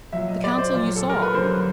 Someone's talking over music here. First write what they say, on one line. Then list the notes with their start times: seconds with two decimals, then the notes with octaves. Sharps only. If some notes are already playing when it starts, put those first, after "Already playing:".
"The Council you saw."
0.12 A#2 F#3 E5
0.28 D#5
0.44 D5
0.58 C5
0.74 A#2 F#3
0.96 A4
1.09 A#4
1.22 B4
1.34 F#2 D3 G3 C5